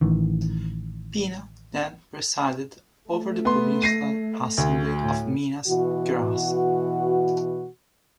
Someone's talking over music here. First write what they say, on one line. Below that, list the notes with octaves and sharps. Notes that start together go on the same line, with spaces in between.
Pena then presided over the provincial assembly of Minas Gerais.
A1 D#3 E3
A3
B3 C6
A#6 C7 D#7
D2
A2
B2 E3 F#4